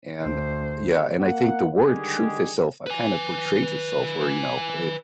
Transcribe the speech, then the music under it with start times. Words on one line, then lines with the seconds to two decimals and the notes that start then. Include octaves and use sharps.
And, eh, eh, yeah, and I think the word "truth" itself, uh, kind of portrays itself where, you know, i d
0.23 D2 C5
1.19 A#3 F#5
1.78 D3 D#3 G3 G#3 G4 G#4
2.87 B4 G#5